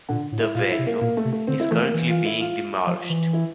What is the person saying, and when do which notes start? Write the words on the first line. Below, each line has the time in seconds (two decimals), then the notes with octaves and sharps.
The venue is currently being demolished.
0.09 A#2 D3
0.32 A2
0.40 E4
0.55 A#2 F4
0.71 E4
0.79 C3
0.86 A#3
1.01 A#2 A#3
1.17 A3
1.25 C3
1.32 A3
1.47 D3 C4
1.60 E4
1.71 E3 A3
1.83 A#3
1.94 E3
2.10 F4
2.25 E4
2.40 F4
2.87 F3
3.10 E3
3.33 E4